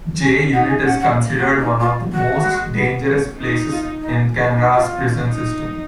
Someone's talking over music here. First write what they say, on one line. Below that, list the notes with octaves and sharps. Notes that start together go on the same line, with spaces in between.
J unit is considered one of the most dangerous places in Canada's prison system.
C#4 G#5
D#4 F#5
G#5
C#4 F#5
F#5
A#3 F5
F#4
D#4
F4
F#4
G#3
B3
C#4
D#4
F4
D#4
D#4
F4
C#4
D#4